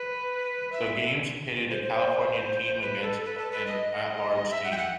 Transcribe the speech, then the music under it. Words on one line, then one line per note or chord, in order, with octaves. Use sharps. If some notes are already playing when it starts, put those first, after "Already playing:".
The games pitted a California team against an at-large team.
Already playing: B4
E5
C5
C5
B4
A4
B4
A4
B4
D#5
E5
F#5
G5
F#5